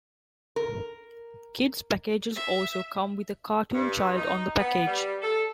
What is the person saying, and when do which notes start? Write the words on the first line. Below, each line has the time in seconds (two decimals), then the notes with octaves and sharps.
Kid's packages also come with a cartoon child on the package.
0.56 A#4
2.36 E5
3.74 G2
4.17 D#4
4.57 B3
4.86 G3
5.22 A4